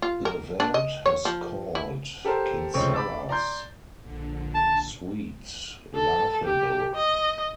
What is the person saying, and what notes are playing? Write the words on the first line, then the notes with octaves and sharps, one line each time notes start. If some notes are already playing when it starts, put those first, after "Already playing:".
Levant has called Kinsella's suit "laughable".
F4
A#4
D4
D#5
C#5
F3
E4
G4 A4 A#4 C5
F1 C#2 C4 C#5 C#6
B5 D6 E6 A6
D5 A#5 C6 G6
A#1 D3
A5
A4
G4
D#5